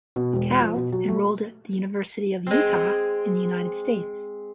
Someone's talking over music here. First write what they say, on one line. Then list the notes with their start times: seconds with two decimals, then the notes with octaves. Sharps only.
Kao enrolled at the University of Utah in the United States.
0.16 B2
0.33 E1
0.60 F3
0.76 B2
0.92 F#3
1.08 A3
2.47 G#3 C4